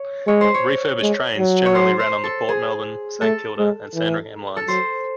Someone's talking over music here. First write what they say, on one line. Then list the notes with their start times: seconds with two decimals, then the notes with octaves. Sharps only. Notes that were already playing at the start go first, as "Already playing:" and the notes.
The refurbished trains generally ran on the Port Melbourne, Saint Kilda and Sandringham lines.
Already playing: C#5
0.27 G#3 C#5
0.41 C5
0.54 C#5
1.01 G#3
1.38 F#3
1.66 C#5
1.75 C5
1.99 C5
2.24 A4
2.49 G#4
3.21 A3 A4
3.59 G#3
3.95 E3
4.57 A4
4.68 F#3 C5